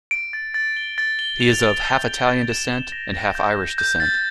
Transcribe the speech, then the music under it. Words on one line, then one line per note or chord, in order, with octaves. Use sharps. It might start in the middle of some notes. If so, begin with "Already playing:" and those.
He is of half Italian descent and half Irish descent.
D7
A6
A6
G7
A6
G7
F7
D7
G6
G7
A6
E7
E7
A#6
A#6
G6
G6
G6
A6